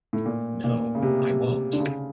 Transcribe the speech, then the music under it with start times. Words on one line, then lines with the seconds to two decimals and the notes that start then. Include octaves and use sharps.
No, I won't!
0.13 A2
0.26 A#2
0.64 A#2
0.95 C#3
1.02 C3
1.73 D3
1.80 C#3